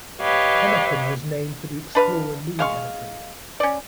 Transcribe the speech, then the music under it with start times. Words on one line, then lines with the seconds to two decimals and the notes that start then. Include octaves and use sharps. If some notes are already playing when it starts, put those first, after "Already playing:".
Hennepin was named for the explorer Louis Hennepin.
0.22 G4 B4 C#5 D#5 F5
1.95 D4 B4 F5
2.59 G#3 F5 C#6
3.60 C#4 D5